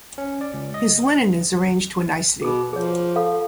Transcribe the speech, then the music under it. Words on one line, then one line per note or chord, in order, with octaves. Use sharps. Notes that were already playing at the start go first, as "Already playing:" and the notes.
His linen is arranged to a nicety.
C#4
D5
C#2
D#5
B2 G#4 D6
F3 G#4 C#5
A4 F5